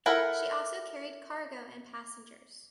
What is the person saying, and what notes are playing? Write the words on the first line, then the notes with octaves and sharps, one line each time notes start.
She also carried cargo and passengers.
E4 A4 A#4 E5 F#5